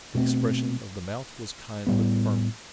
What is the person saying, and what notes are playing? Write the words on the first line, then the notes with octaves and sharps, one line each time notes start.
The expression of the mouth was kind but firm.
B2 A3 C4
A2 G3 B3